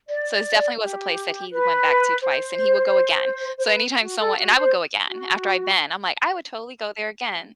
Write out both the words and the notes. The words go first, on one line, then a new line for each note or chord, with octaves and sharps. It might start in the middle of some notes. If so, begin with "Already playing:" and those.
So it's definitely was a place that he went back to twice, and he would go again. So anytime someone and I would go again, after I've been, I'm like, "I would totally go there again."
D5
G4
B4
C5
C5
B4
F#4
A4
F#4
C5
F#4